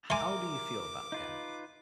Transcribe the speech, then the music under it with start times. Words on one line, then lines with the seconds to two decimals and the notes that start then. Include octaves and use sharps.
how do you feel about that?
0.10 A#4 E5 G#5 C6 D6
1.12 D#4 F4 B4